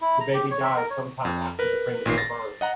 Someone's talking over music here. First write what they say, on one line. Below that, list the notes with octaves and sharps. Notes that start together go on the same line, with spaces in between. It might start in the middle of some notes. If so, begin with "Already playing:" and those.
The baby died some time after the premature birth.
E4
A#5
G4
C#5
E5
A#4
C#5
F2
A#4 B4
A1 A#2 D#3 C7
A6 A#6
D#5 F#5 A#5